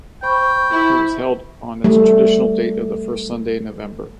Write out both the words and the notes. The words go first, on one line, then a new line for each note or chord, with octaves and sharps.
It was held on its traditional date of the first Sunday in November.
C5 G5 B5 C#6
E4
G3 A3